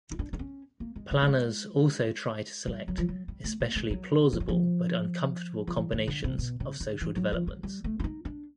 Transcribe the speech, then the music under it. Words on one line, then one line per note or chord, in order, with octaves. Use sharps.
Planners also try to select especially plausible but uncomfortable combinations of social developments.
D#4
D4
D4
C#4
A#3
G#3
G3
A3
G#3
G3
F#3
F3
F#3
G3
A3
A#3
G#3
F#3
F3
F#3
F3
F3
E3
D#3
D3
C3
B2
C#3
D3
E3
F#3
F3
F#3
G3
A3
D4
D#4
D4